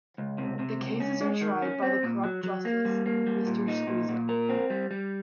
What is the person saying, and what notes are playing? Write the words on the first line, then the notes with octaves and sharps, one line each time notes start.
The cases are tried by the corrupt justice, Mr. Squeezum.
C#2
C3
C3
C#2
C#4
G#3
D#3
C#4
C4
A#2
F#3
F#3
A#3
G3
A#3
G3
A#2
D#4
A#2
A#2
A#4
C4
G3
G3